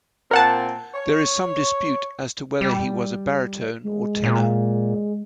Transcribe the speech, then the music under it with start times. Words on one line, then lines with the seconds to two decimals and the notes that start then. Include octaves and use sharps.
There is some dispute as to whether he was a baritone or tenor.
0.31 A#2 C4 A#4 F#5 A5
0.95 C#5
2.61 G3
3.84 G#3
4.24 A#2